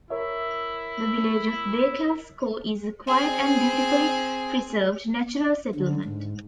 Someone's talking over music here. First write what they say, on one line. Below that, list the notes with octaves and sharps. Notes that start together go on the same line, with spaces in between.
The village of Baykalsko is a quiet and beautifully preserved natural settlement.
E4 A#4 C#5 E5
C4 G#4
D3
G#2